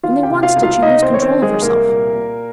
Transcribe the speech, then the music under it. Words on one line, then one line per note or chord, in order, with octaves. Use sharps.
Only once did she lose control of herself.
D#3 F4 F5
G4 G5
C3
F4 F5
C#2
F4 F5
C3 D#4 D#5
C4 C5
D#3 C#5
C4 C5
D#3
G#3 G#4
C2 A#3 A#4
A#2
A#2